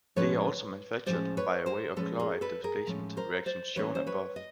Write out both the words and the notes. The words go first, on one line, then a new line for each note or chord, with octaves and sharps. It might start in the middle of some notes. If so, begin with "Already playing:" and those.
They are also manufactured by way of the chloride displacement reaction shown above.
A2 F3 G#3 C#4 B4 C#5
A2 F3 G#3 C#4 C5 D5
B4 C#5
A#4 C5
A2 F3 G#3 C#4 A4 B4
G#4 A#4
A4 B4
G#4 A#4
A2 F3 G#3 C#4
A#4 C5
C5 D5
E3 G3 A#3 C#4 B4 C#5
C5
B4 C#5
D#5